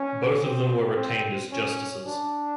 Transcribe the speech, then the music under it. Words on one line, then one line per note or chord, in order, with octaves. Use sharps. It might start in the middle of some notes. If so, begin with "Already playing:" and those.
Both of them were retained as justices.
Already playing: C#4
C4
C4
C#4
D4